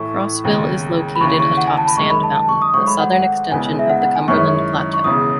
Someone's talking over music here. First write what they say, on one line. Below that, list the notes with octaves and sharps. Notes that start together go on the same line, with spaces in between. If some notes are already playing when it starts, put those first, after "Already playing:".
Crossville is located atop Sand Mountain, a southern extension of the Cumberland Plateau.
Already playing: A2 E3 A3 E4 C#6
E1 D#2 C#3
B5
D#2 C#3 E3 C#6
C#6
F#5
G#5
A5
B5
F#2 D#3 G#3 C#6
B5
A5
A5
C#6
D#6
G#1 G#2 F#3 A3 C#6
B5
F#5
F#5
E1 E2 C#3 G#3 B3 G#5
E5
F#5
F#5
G#5
F#2 D#3 G#3 C#4 E4 C#6
C#6
E1 E2 C#3 D#6